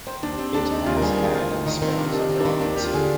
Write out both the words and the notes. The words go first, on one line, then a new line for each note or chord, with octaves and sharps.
It has had spells of dormancy.
D#3 C5
D#2 D4
D#2 C4
D#2 D4
D#2 D#4
D#2 F4
A#4
G3 G#4
D#2 G#4
D2 F4
D2 D#4
D#3 D#4
D#3 C4
C3 D4
D2 D4
D#4
D#3
C4
D4
D#3
D#2 D4
D#2 G4
F4
D3 G#4